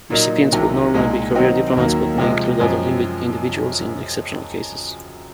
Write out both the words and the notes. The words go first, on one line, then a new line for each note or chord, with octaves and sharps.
Recipients will normally be career diplomats, but may include other individuals in exceptional cases.
A#2 F#3 A#3 D#4
C2 C3 D#3 F#3
C2 A#2 G#3 D#4
D#3 F#3 C4 D#4 F#4
D#2 D#3 F#3 A#3
C3 F3 G#3
F#2 F3 G#3